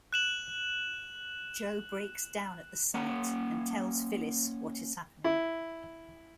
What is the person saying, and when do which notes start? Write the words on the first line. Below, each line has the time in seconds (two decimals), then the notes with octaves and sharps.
Joe breaks down at the sight and tells Phyllis what is happening.
0.13 F#6 E7 F#7
2.94 A#3 C#4 F#5
5.24 E4